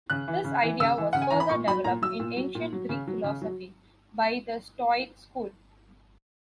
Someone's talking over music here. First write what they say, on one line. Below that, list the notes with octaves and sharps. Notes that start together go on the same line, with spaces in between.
This idea was further developed in Ancient Greek philosophy by the Stoic school.
C#3 F#6
E3
C#3
E3
C#3 E6
E3
C#3 F#5
G#5
E3 A#5
B5
A#2 C#6
F#3 B5
A#2 A#5
F#3 E6
A#2
F#3
A#2
F#3
C#3
F#3
C#3
F#3